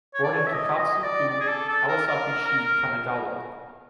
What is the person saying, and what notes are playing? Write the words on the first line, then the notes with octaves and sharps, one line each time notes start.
Born in Takatsu-ku, Kawasaki-shi, Kanagawa.
C#5
D5
C#5
E5
D#5
D#5
D5
D5
G#4
A4
A4
A#4
A#4
A#4